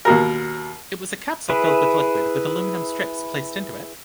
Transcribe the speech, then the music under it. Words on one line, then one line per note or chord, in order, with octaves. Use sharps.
It was a capsule filled with liquid, with aluminium strips placed into it.
D#2 B2 A#4
E4 G#4 B4